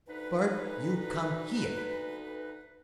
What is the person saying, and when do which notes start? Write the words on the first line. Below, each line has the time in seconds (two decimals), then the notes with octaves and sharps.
"Bart, you come here!"
0.08 D2 D#4 B4